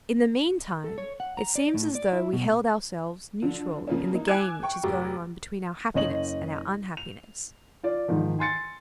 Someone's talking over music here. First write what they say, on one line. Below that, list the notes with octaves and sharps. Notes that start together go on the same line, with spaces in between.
In the meantime, it seems as though we held ourselves neutral in the game which is going on between our happiness and our unhappiness.
A4
C#5
F#5
A#5
D5
A2
D5
E4
B2
D3 F3
C#3 F3 A#3 C4 C#4
A#3 D#4
G#5 D6 E6 F#6 G#6 E7
G5 C#6
F1 F#3 F#4 G4 D6
F#1 C#4 D#5 F#7
F7
F4 D5
G#2 D#3 F3
G#5 C6 A6 C#7